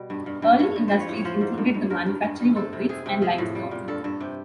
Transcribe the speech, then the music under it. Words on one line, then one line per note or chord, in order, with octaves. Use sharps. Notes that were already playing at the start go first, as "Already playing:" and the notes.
Early industries included the manufacturing of bricks and limestone.
Already playing: B2 G3
G2
G2
G2
G2 C#5
G2
F3 B4 C5
C#5
A2
C#5
F3 C5
G#2
G2
G2
G2 A#4
G2
G2
G2
C3 A4
C3
C3 G#4
C3
F3 G#4
A2
G3
A#2
G2 A4
G2 A4
C3 G4